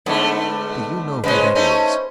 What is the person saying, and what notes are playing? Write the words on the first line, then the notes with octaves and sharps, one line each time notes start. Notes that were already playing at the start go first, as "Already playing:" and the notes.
"Do you know who that is?"
G#2 D3 A3 B3 A4
C#3 G#3 C#4 B4 C5
A3 C#4 D#4